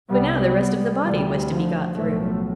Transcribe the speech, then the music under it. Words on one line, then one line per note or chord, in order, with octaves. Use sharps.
But now the rest of the body was to be got through!
C2 C3 G3 B3
G3 B3
D2 C3 E3 G3
D3 F3
B1 A2 F3 A3